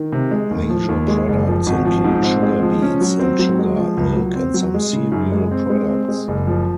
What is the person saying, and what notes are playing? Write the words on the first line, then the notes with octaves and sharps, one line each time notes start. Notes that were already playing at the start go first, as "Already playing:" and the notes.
Major products include sugar beets and sugar, milk and some cereal products.
Already playing: D#3
C3
G#3
D#2
F3
D#2
G#3
F#1
F3
G#1
F3
G#2
C4
G#3
F3
C#4
F#3
C4
F#3
G#3
F3
C#2
F#3
C4
F#3
G#3
C#3
F#2
G#3
C4
G#3
C4
G#3
F#1
F3